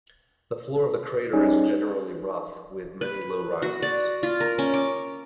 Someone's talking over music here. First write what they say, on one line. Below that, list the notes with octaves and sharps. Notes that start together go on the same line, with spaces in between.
The floor of the crater is generally rough with many low rises.
G3 C#4 D#4 G#4
B4
F#4
D5
F4
A#4
C#4
D6